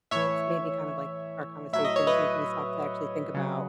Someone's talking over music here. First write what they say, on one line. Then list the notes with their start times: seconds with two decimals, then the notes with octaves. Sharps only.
it's made me kind of, like our conversation is making me stop to actually think about
0.11 A2 E3 C#5 E5
1.73 A2 F#3 E5
1.85 D#5
1.96 C#5
2.07 B4 D#5
3.34 C#3 F#3